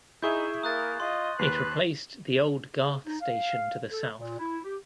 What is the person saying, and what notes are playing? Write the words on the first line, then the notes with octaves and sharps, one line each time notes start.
It replaced the old Garth station to the south.
D#4 E4 G#4 E5 C#6 G6
A#3 A#4 D#6 F#6 A6
F4 D#5 C6
D#2 B4 F#6 C7
C#3
D#4
F5
A4
A#2
E4
G4